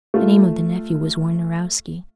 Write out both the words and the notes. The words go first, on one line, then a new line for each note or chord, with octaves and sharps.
The name of the nephew was Warnarowski.
A3 F4